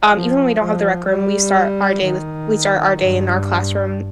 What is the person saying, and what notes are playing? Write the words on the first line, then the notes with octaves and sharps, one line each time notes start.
Um, even when we don't have the rec room, we start our day with we start our day in our classroom
F3
F3
G3
D#3
G2